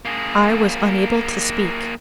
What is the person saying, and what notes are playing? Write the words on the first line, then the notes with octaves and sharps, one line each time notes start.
I was unable to speak.
A#3 G#4